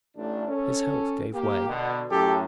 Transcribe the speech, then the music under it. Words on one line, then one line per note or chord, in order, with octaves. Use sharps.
His health gave way.
A1 A3 D4
C#4 A4
A#3 G4
B2 D3
F#2 A2 G4 A4